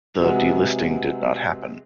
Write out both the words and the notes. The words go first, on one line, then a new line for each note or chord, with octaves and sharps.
The delisting did not happen.
C3 F#3 G#3 B3